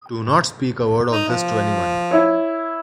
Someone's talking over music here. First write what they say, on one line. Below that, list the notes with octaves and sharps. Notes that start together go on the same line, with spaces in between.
Do not speak a word of this to any one.
D#4
F3
E4 C#5